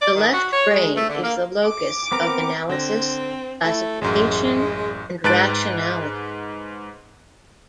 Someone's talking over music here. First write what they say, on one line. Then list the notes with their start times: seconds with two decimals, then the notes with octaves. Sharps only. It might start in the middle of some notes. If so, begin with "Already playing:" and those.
The left brain is the locus of analysis, classification, and rationality.
0.01 D5
0.15 D#3
0.33 F#4
0.51 C#5
0.69 G#3
0.95 A3
1.08 D3
1.23 A#3
1.65 D6
2.12 B3 C4 A#4
2.69 D3 C4 A#6
3.65 A3 E4
4.01 A1 F#2 G#3
5.24 G#2 B4 A5 F#6 A6 D7